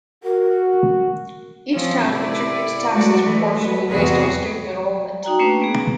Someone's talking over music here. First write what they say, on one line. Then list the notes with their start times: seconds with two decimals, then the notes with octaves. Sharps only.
Each town contributes taxes proportionally based on student enrollment.
0.24 F#4 A#4
1.71 F3 C4 C#4
2.07 C3 E4 D5
2.93 F#3 G#3 A3 F#4 D5
3.24 E3 G#3 A3
3.60 F#3 B4
3.90 E2 A2 C3 F#4 G#4 B4
5.23 D#4 F#4 G5 A#5
5.39 A3 A#3 C#4 D4 B4 C#6
5.62 B3 G#4